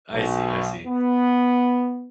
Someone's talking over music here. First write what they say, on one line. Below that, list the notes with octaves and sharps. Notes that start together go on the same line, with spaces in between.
I see, I see.
B1
B3